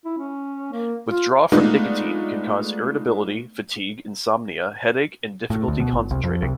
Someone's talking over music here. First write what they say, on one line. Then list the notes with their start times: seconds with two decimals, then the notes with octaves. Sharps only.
Withdrawal from nicotine can cause irritability, fatigue, insomnia, headache, and difficulty concentrating.
0.05 E4
0.18 C#4
0.72 A#3
1.09 F4
1.52 G#3 A3 B3 D4 D#4 F4
5.50 A2
5.68 D2
5.80 B2
5.93 G1
6.11 C2
6.24 F2
6.42 C2